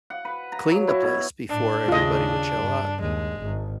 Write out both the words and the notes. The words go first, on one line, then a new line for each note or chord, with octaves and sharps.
clean the place before everybody would show up.
F#5
B4
A#5
F#3
E4
B2
A2 D4
D#2 C#3 F4 D#5
G2
D#2 G#3
G#1